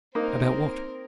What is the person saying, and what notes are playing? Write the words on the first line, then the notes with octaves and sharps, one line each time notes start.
"About what?"
A#3 C4 D#4 A#4